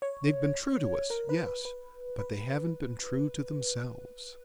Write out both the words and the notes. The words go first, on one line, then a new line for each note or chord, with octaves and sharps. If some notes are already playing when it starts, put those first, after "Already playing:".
They've been true to us, yes, but they haven't been true to themselves.
C#5
A#4
B4
B4
B4
B4